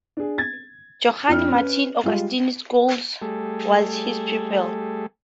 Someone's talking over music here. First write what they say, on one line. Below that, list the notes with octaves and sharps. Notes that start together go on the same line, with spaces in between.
Johann Martin Augustin Scholz was his pupil.
D4 G#4
G#6 A6
F2 D4 F6
C#4 B4
G3 G#3 F4
G3 A3 G#4 A4